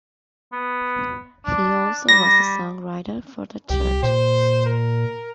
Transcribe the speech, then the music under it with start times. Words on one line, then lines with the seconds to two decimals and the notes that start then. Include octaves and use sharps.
He also was a songwriter for the church.
0.53 B3
1.46 D4
2.09 G3 A#6
3.70 C2 G4
4.03 A#2 C5
4.66 A#4